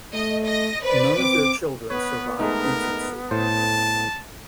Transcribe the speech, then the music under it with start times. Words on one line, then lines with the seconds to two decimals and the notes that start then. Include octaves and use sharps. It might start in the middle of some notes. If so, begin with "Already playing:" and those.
None of their children survived infancy.
0.14 A3 D#5
0.46 D#5 A#6
0.85 B4 C5 D5
1.18 C4 D6
1.90 B3 B4 C#5
2.39 G#3 A3 D#4 A#4
3.31 A2 C5 A5